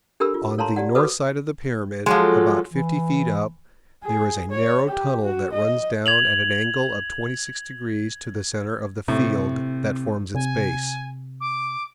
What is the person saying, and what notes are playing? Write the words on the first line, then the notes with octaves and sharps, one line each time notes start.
On the north side of the pyramid, about fifty feet up, there is a narrow tunnel that runs down at an angle of twenty-six degrees to the center of the field that forms its base.
D4 G4 A4 A#4 B5 E6
F4
A4 C#5 F5 A5 A#5 C6
G4 D5 F#5
F#4 A4 B4 D6 D#6
F3 F#3 G#3 F4 A4
E3
G#4
C#5
G4
F#4
D#5
G#6 F7 F#7
A2 C3
C3 G#5
D6